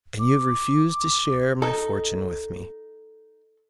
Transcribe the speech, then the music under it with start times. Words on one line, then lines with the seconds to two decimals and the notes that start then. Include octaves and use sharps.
"And you have refused to share my fortune with me."
0.19 D6
1.62 D#4 A4